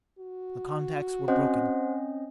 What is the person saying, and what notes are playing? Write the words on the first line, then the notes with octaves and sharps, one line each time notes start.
The contacts were broken.
F#4
C4 C#4 C5 D#5 F#5